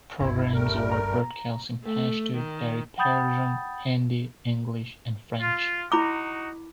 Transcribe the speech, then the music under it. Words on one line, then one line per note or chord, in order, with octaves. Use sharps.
Programs were broadcast in Pashto, Dari-Persian, Hindi, English, and French.
F#1 C2 G2 B2 E4
G3 A3 A#4
A#5
A3
D#3
F#5 G5 B5 D#6 G6 A6
F4
D#4 E4 F#4 B5 D6